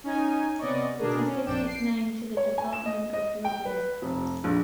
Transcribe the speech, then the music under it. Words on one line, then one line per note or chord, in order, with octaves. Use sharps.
It has given its name to the department of Lozère.
C#4 D#4 G#5
C3 B3 C#4 D5 D#5 C#6
B2 D3 D4 G#4 A#4
C#4
A#1 F#2 D4 G5 E7
C7 D7
C#5
G#5
E7
D#5
D#5
G5
B4
F1
A#1